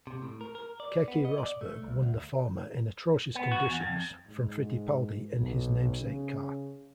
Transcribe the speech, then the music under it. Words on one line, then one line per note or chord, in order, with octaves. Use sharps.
Keke Rosberg won the former in atrocious conditions from Fittipaldi in his namesake car.
C3
A2
A#4
A#4
D5
B3
D#5
D5
A3
C2
D2
B3
F#4
E2
F2
G#2
B1
C#3